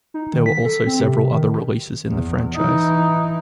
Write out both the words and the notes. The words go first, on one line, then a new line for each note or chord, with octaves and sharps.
There were also several other releases in the franchise.
D#4
D#3
B6
A4
C4
C3
D#3
E2
E3 D#4